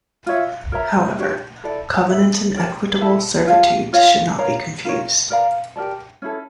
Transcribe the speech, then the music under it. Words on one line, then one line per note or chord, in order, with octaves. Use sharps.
However, covenants and equitable servitudes should not be confused.
F4 C#5 E5
A#4 C#5 E5 A#5
D4 G4 C#5 G5
E4 A4 D5
E4 A4 E5
G4 A#4 C#5 G5
E4 A4 E5 A5
F4 C#5 F5 A5
F4 C#5 F5
A#4 C#5 F5 A#5
F4 A#4 C#5
A#4 D5 F5 A#5
G4 A#4 D5 A5
C#4 E4 A4